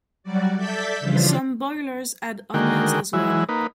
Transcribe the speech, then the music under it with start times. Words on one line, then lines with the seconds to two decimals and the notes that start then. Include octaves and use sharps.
Some boilers add onions as well.
0.23 F#3 G3 F#4 D5
0.55 A4 D5 E5 G6 A6 B6
1.00 C#3 E3 F3 G3 D4 F4
2.54 D3 D#3 G#3 F#4 A#4 G5
3.13 E3 F#3 G#3 E4
3.49 A#3 D#4 B4